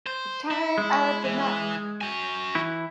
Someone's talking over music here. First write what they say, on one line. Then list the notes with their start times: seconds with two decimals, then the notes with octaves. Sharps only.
Return of the Mac.
0.06 C5
0.51 E4
0.78 G#3
1.24 E3
2.01 F#4 G#5
2.55 E3 E4